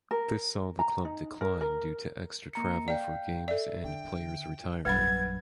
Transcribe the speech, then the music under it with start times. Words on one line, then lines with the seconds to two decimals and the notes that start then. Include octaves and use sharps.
This saw the club decline due to extra travel for games and players retiring.
0.11 A#4
0.79 A#5
1.05 D#4
1.41 A#4
1.61 A#4
2.53 A#3 A#5 C#7
2.88 D5 F5 G5
3.48 A4 D5 E5
3.84 D3 G5
4.85 A#1 F#2 G3 B4 F#5 B5 G#6 A6